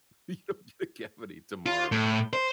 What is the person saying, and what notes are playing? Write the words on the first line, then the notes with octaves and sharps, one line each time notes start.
you don't get a cavity tomorrow.
F4
A2
C5